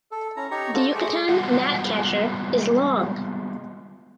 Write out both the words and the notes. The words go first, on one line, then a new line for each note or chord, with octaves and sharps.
The Yucatan gnatcatcher is long.
A4
C#4 E4 A#5
D#4 G4 C#5 A#5 C#6
F4 F#4 A4
G#3 A3 G#4 C5 C#6 D6
G3 G#3 B3 F4 F#4 F#5